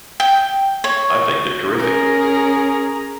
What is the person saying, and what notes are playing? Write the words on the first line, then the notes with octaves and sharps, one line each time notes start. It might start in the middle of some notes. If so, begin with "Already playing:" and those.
I think they're terrific.
G5
C#5
C#4 G#4 A#4 A#5